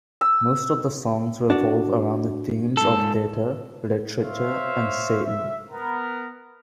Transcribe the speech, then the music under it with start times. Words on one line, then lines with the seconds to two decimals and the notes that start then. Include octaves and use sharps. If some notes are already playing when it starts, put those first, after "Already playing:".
Most of the songs revolve around the themes of theater, literature, and Satan.
0.21 E6
1.50 D4 F#4 D5
2.77 G#2 A4
4.21 C5 C#5 E5 F5
5.23 E5
5.70 B3 A#4